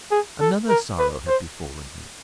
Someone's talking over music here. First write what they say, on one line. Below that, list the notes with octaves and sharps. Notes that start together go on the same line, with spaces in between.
Another sorrow had befallen him.
G#4
A4
A#4
B4
C5